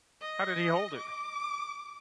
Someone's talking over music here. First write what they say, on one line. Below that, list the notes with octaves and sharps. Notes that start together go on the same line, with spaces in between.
How did he hold it?
D#5
D6